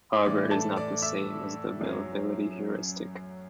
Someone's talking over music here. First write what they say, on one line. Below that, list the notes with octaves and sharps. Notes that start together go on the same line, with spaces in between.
However, it is not the same as the availability heuristic.
A2 E3 D5 D6
A4 A5
D5 D6
E5 E6
F#2 F#3